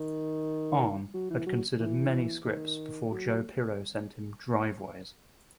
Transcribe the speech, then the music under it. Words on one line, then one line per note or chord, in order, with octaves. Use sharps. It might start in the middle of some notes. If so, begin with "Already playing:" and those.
Ahn had considered many scripts before Joe Pirro sent him "Driveways".
Already playing: D#3
F#3
E3
F#3
E3
D#3
F#3